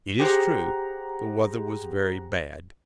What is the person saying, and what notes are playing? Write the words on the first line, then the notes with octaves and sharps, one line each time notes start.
It is true the weather was very bad.
G4 G#4 C5 F#5 A#5